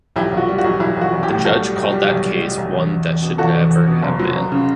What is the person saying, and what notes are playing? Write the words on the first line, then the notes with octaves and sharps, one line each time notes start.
The judge called that case one "that should never have been".
B1 E4 G4
B1
F#4
G3
F#4
B1
B1 E4
B1 F#4
B1
E4 G4
A2
B1 F#4 A4
G3
B1
G3
B1
G3
G3
B1
E2
E2
E2
B2
E2 F#4 A4
E2
E2
B2
F#1
F#3
F#1
C#3